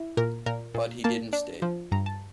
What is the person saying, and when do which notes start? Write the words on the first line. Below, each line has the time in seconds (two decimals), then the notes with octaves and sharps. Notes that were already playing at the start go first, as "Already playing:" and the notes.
But he didn’t stay.
Already playing: E4
0.17 A#2 A#4
0.46 A#2 A#4
0.74 A#2
1.04 A#3 A5
1.33 D4
1.62 F3
1.92 G2 A#5
2.06 A5